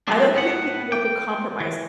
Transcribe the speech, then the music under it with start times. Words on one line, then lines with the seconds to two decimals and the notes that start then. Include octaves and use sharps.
I don't think people want to compromise.
0.08 F#3 G#3 B3 C4 D4
0.34 A2 B3 F#5
0.92 G5
1.60 E3